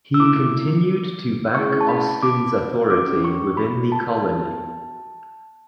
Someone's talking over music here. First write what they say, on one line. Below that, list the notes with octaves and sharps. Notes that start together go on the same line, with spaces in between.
He continued to back Austin’s authority within the colony.
E6
A3 E4 A4 D6
A3 C#4 E4 G#4 C#6
A5
B5
D6
C#4 F#4 A4 D6
C#6
B5
A5
B3 F#4 A4